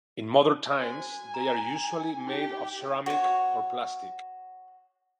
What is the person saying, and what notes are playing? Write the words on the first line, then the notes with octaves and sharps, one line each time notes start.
In modern times, they are usually made of ceramic or plastic.
F#4 C5 G#5
A#5
D#4 G4 G5
F#4 C#5